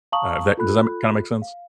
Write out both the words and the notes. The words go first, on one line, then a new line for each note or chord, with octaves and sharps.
Uh, if that does that ma kinda make sense?
F5 A5 A#5 C#6 D#6 F#7
F4 A4 B5 F#6
F5